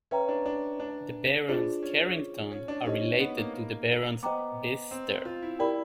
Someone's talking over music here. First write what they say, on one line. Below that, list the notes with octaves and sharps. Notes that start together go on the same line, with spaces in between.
The Barons Carrington are related to the Barons Bicester.
C#4 B4 E5 G5 A#5
D4
D4
D4
D4 F4 G#4 C5
C#4
C#4
D4
C#4 D#4 G4 C5 D#5
B3
A#3
A#3
B3 C5 D#5 G5 A#5 D6
C4
F4
E4
E4 G4 A#4 D5 G5 B5